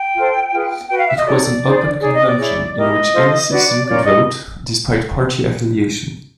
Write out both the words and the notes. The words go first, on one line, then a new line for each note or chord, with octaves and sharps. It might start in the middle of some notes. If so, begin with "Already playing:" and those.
It was an open convention in which any citizen could vote, despite party affiliation.
Already playing: G5
F4 A4 C5
F4 G#4 B4
F#4 B4 G5
F5
E5
D#5
D#4 F#4 A4 C#5 D5
D#4 G#4 C5
D#4 G#4 C#5 D5
D#5
D5
E4 G#4 C#5
E4 G4 A#4 D#5
D4 F4 A4 C5
D4 F#4 B4 D5
D5
C#4 F4 A#4 C#5 D5
D#5